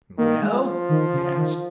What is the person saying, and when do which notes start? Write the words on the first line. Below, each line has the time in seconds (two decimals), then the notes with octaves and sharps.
"Well?" he asked.
0.18 D#3 A#3
0.42 G#3
0.54 F3
0.89 D#3
1.13 C#3
1.36 D#3